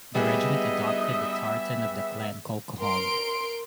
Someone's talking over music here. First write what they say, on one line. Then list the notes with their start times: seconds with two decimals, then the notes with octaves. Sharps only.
The regiment adopted the tartan of the Clan Colquhoun.
0.15 D2 G3 B3 D#4 G#4 D#5 E5
2.80 A#4 C6 D7